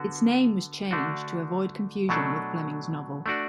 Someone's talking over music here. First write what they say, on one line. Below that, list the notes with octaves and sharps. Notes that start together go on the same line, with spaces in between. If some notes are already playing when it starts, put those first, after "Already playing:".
Its name was changed to avoid confusion with Fleming's novel.
Already playing: D3 B3 F#4
D3 A3 D4 F#4
B2 F#3 A3 D4 A4
A3 D4 F#4 D5